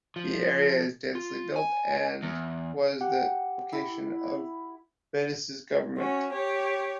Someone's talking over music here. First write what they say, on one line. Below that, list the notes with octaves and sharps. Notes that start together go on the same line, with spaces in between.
The area is densely built and was the location of Venice's government.
F3
F4
G#5
E2
G4 F#5
E4
C#4 F#4
G4 C#5